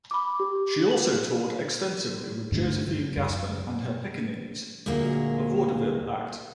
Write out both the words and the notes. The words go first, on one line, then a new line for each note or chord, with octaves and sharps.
She also toured extensively with Josephine Gassman and Her Pickaninnies, a vaudeville act.
B5 D6
G4
F#7
G2 D3 F#3 A3
C#3
F#2 F#3 G3
D2 A#2 F#3 G#3 A#3